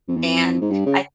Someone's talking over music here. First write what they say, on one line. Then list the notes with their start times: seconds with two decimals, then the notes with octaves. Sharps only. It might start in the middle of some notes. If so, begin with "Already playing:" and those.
And I
0.08 F2
0.16 E2
0.25 F2
0.61 G#2
0.71 G2
0.86 C#3